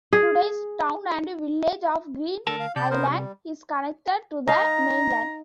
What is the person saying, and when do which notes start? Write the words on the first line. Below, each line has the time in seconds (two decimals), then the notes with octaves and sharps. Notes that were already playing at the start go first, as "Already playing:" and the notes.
Today's town and village of Green Island is connected to the mainland.
0.13 G#4
2.47 D2 D3 A4 A#4 A5
2.60 F5
2.76 C3 D5 A5 G6
2.91 B3 A#4 C5
3.08 G3
4.48 D#4 F5 A#5